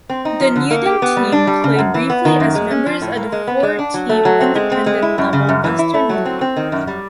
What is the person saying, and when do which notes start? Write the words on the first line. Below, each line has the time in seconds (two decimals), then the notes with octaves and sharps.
The Newton team played briefly as members of the four–team Independent level Western League.
0.10 C4
0.25 D#4
0.40 F3
0.56 D3
0.71 A#3
0.86 G4
1.02 B3
1.17 G3
1.32 D4
1.47 G3
1.64 C#3
1.79 F#2
1.94 E3
2.10 B3
2.25 D#3
2.40 F#2
2.55 G#3
2.70 C#4
2.86 F3
3.02 A2
3.17 A#3
3.32 G#3
3.48 B3
3.63 G#3
3.79 D4
3.94 F#3
4.09 A3
4.25 F#3
4.41 C4
4.55 G#3
4.72 C4
4.86 G#3
5.02 E4
5.18 F#2
5.33 C#3
5.49 F#2
5.64 E3
5.79 E4
5.94 A3
6.09 F#3
6.25 C4
6.41 C4
6.56 D#3
6.72 F#2
6.87 G3